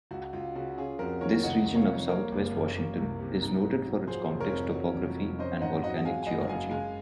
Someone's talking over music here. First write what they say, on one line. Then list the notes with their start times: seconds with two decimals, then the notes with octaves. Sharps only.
This region of Southwest Washington is noted for its complex topography and volcanic geology.
0.11 C#2 F#4
0.33 C#2 F4
0.55 C#3 F#4
0.78 C#4 F4 G#4
0.99 F2 F#4 A#4
1.21 D#3 A#4 C#5
1.43 F1 D#5 F#5
1.66 F1
1.76 C#5 F5
1.87 F2
2.09 A#3 A#4 C#5
2.32 F#1
2.53 F#2
2.75 A#3
2.98 C2
3.20 C3
3.41 G#2
3.63 G#2
3.85 F#3
4.07 F3 G#4 C5
4.30 F1
4.40 A#4 C#5
4.51 F2
4.73 F#3
4.95 F1
5.17 F2
5.39 C#4 C5 D#5
5.61 G#2 D#5 F#5
5.83 F#3 D#5 F#5
6.05 G#3 F5 G#5
6.22 G#5
6.27 F#1 D#5 F#5
6.49 F#2 F5 G#5
6.71 G#3 F5 G#5